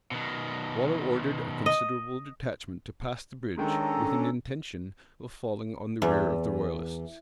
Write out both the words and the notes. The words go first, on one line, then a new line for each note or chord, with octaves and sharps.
Waller ordered a considerable detachment to pass the bridge, with an intention of falling on the rear of the royalists.
B2 D#3
D#5
D#3 G#3 C#4 D4 A4 A#5
E2